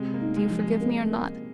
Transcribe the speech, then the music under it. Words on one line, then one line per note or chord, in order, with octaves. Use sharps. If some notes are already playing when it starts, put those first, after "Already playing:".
Do you forgive me or not?
Already playing: C3 G#3
A#3
D#4
G#3
F3
G#3
A#3
A#3